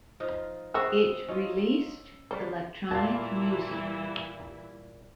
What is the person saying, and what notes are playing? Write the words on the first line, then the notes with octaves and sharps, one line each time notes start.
It released electronic music.
F3 D#4 F4 D#6
D#3 C4 F#4 G#4 B4 E6
C#4 D#4 F4 D#5
C#3 G3 A#3 B4 C5 A5 C#6
A#2 E3 G3 E4 F5 A5